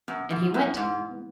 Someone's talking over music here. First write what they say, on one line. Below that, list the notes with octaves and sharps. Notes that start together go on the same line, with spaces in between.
And he went.
F#2 B3
G#2
E4
F#2
G#2 G#3
B3